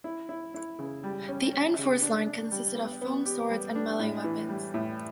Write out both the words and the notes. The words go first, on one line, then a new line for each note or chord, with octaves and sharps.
The N-Force line consisted of foam swords and melee weapons.
E4
E4
E4
C#3
G3
C#4
C#4
C#3
D4
D4
G3
B3
B3
G4
G3
D4
A2
E3
G3
A2